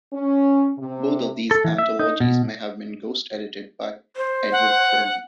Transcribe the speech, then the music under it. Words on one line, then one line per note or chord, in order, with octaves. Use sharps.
Both of these anthologies may have been ghost-edited by Edward Ferman.
C#4
C3
A4
E3
E5
D#4
B2
C5
F#5